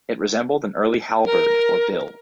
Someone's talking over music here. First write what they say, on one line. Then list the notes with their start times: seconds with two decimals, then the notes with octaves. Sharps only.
It resembled an early halberd or bill.
1.26 A#4